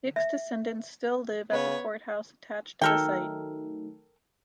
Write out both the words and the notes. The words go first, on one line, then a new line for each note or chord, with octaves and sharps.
Hicks' descendants still live at the Court House attached to the site.
E5
C#3 B3 C#5
D#3 F#3 A3 A4 A#4 G5